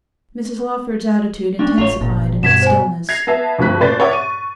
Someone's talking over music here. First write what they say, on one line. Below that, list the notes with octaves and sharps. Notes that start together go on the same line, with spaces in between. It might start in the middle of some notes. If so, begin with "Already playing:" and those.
Mrs Lawford's attitude intensified in its stillness.
A#3 C#4 D4
A1 F4 C#5
G1 A#2
G2 B2 G#6 B6 E7
C5 G#5
G#6 A#6 C7 F7
B3 E5 A5
D2 G2 F3 C4 F#6 B6
A#2 C#3 C5 D5 A6 B6
C#5 E5 F#5 D6
C#6 D#7